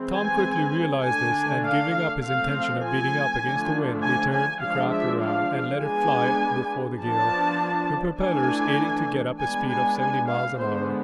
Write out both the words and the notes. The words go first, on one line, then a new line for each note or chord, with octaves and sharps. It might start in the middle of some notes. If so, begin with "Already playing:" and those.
Tom quickly realized this, and, giving up his intention of beating up against the wind, he turned the craft around, and let it fly before the gale, the propellers aiding to get up a speed of seventy miles an hour.
Already playing: E3 G#3 C4
G#5
D3 A3 D4 G#5
F5
F3 A3 C4 F5
G#5
D3 F3 A3 D4
G#5
G#5
F3 G#3 D4 F5
E5
F5
G#3 B3 D4 G#5
F3 B3 D4 A5
E3 A3 D4 G#5
G#3 B3 D4 G#5
G#5
G#5
F5
D3 G#3 B3 C5